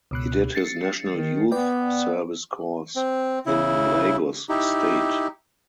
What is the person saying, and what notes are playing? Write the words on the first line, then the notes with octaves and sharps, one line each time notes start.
He did his National Youth Service Corps in Lagos State.
C#2 B2 F#6
A6 C7 C#7
D#3
B3 B4 D5 G5
C4
C#3 E4
D#4 E4 G4